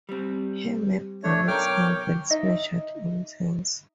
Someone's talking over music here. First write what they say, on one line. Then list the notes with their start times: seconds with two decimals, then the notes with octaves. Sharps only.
Here map doubles angles measured in turns.
0.09 G3 C4
1.24 A3 D4 C#5
1.48 B1 A#4 C#5 G5 D6 F6
2.30 D#4 D#5 E5